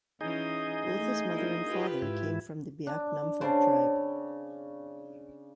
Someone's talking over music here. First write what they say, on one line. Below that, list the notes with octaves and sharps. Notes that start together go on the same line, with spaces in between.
Both his mother and father came from the Biak Numfor tribe.
E3 C#4 D#4 G#4 D#5
A3
A#3 D4 E4
F4 G4 B4
G#2 E4
D4
C#3 C4 D4